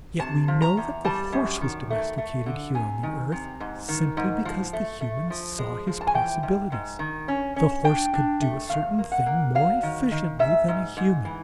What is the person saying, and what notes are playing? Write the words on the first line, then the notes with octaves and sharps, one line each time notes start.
And yet we know that the horse was domesticated, here on the earth, simply because the humans saw his possibilities; the horse could do a certain thing more efficiently than a human.
C3 A5
F3
A#5
E2
G3 A5
F#2
D#3
A3
A3
D3
C3 G#5
D#3
C3
G#2
D#3
G#2
F3
A3
A3
F3
G#3
F3
A5
G#5
E3 G5
G#2
G#2
D#3
C#4
C#4
D4 G5
D4
A3
E2 F5
A#3
F#5
A#3
F#3 F5
D#3
D#3
G#2 E5
G#2
G#2
E3